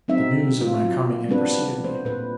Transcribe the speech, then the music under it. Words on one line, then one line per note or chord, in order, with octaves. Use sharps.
The news of my coming had preceded me.
F#3 C4 D#4 E5
F4
F#3
G3 B3 C4 D4 B4
C5
A#2 B4